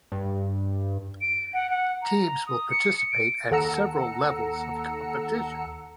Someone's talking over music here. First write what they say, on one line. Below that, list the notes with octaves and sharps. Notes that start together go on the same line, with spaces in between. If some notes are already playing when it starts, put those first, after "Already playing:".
Teams will participate at several levels of competition.
G2
D7
F#5
F#5
A#5
D#6
C#7
D7
D#2 A4 F#5 A#5 E6 C#7